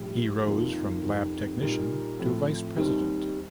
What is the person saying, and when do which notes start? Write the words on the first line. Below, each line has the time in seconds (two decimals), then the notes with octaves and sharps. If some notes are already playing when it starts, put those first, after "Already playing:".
He rose from lab technician to Vice President.
Already playing: A#1 A2 G3
0.45 F1 D#2 D#3 A#3 F4
1.03 F1 F2 D#3
1.61 A#2 G3 A#3 D#4
2.19 A2 F3 A3 C4
2.77 D#2 D#3 G3 C4